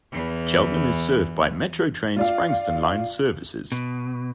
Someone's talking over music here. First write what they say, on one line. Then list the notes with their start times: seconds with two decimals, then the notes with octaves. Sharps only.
Cheltenham is served by Metro Trains' Frankston line services.
0.12 E2 E3
2.16 F4 D5 F5
3.72 B2